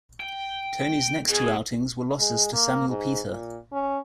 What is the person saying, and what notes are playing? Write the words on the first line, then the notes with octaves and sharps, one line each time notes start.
Toney's next two outings were losses to Samuel Peter.
G5
B2 G#4
G#3
A#3
G#2
A#2
C#4